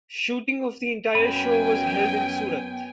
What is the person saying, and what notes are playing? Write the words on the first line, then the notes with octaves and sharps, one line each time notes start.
Shooting of the entire show was held in Surat.
F#2 B3 C#5 G5 G#5 B5